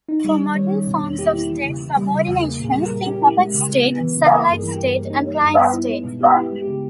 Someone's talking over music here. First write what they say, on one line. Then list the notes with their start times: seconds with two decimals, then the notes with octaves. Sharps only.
For modern forms of state subordination, see puppet state, satellite state and client state.
0.08 D#4
0.25 G3
0.40 D#3
0.55 G3 C#5
0.71 C#4
0.87 B2
1.02 E2
1.18 A#3 G4
1.33 E4
1.50 E3
1.65 C#3
1.80 E3
1.97 G3
2.12 C#3
2.27 E2
2.44 A#3 G#4
2.60 A#2 G#4
2.75 G3
2.85 A#4
2.91 A#2
3.06 C#4 G4
3.22 E4
3.37 G#3
3.54 C#3
3.70 G#3
3.86 B3
4.01 E3
4.17 C#3
4.32 A#3 A#4
4.48 G2 G#4
4.63 E3
4.74 G4
4.80 G2
4.95 A#3
5.10 D#4
5.26 G3
5.42 G2
5.58 B3
5.73 E4
5.90 G#3
6.05 B2
6.20 B3 G4
6.36 E4
6.41 G4
6.52 G#3
6.62 G4
6.68 C#3